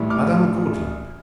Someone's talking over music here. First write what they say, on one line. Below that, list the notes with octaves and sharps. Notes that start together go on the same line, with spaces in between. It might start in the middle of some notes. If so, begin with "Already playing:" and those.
"Madame Gordeloup?"
Already playing: A1 A2 E3 G3
D6 F6